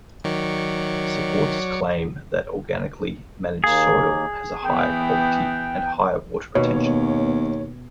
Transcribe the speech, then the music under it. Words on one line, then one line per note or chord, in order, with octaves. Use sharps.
Supporters claim that organically managed soil has a higher quality and higher water retention.
D#3 F#3 C#5 D5
D#2 A#3 G#4
E3 B3 G5
D#2 B2 B3 C#5